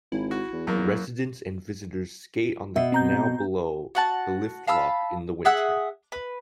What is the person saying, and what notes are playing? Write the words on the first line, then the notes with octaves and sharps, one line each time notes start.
Residents and visitors skate on the canal below the lift lock in the winter.
G#1 E4
F#4
E2
F#2 F#3 A#3
B2 E5
C4 A#5 G6
F#4 F#5 A5
F5 A5 B5 E6
G#4 E5 F#5 E6
B4